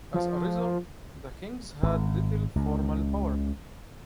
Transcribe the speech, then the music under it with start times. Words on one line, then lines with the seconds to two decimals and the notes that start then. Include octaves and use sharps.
As a result, the kings had little formal power.
0.14 F3
1.83 G#1
2.56 C#2